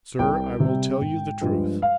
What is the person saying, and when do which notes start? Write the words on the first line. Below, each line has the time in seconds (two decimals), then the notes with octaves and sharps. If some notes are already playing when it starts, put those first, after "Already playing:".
'Sir, I will tell you the truth.
0.19 C2 G5
0.60 C3 G3
1.01 G#1
1.41 G2 F3 G#3
1.82 F5